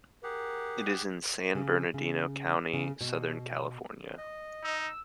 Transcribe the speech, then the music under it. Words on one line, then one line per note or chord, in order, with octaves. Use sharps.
It is in San Bernardino County, Southern California.
G4 G#4 A#4 F#5
C#3
C#3
C#3
B2
D#5
D#4 E6